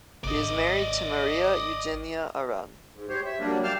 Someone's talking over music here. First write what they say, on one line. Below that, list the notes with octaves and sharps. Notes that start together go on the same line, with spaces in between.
He is married to Maria Eugènia Aran.
G#1 D5 D#5
G#2
G4 C5 C#5
E5
F#3 G3 A#3 D4
F5 G5 A5 D6 F6